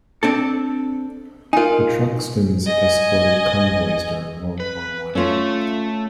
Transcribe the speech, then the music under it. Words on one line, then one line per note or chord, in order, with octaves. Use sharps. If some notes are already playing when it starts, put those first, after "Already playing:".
The "Truxtun"s escorted convoys during World War One.
C4 D4 A4
D#4 F4 A#4 G#5
D#5 G#5
B4
A3 C#4 F4